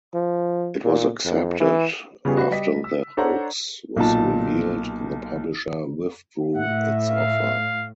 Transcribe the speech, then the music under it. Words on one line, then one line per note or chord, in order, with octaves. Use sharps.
It was accepted; after the hoax was revealed, the publisher withdrew its offer.
F3
A#2
F2
E3
C#3 G3 B3 F4 G4 G#4
F#4 B4
G3 D#5 B6
E6
D4 A4 C5 C#5 F#5 A#5
B1 A#2 A5
A2 E5 F#5
F5